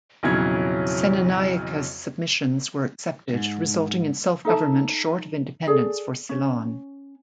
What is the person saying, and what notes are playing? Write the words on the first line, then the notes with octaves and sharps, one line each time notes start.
Senanayake's submissions were accepted, resulting in self-government short of independence for Ceylon.
B1 F2 C#3 E3 F#3 G#6
D#2 G#2
D#4 A4 E5 A5
G#4 A4 D5
C#4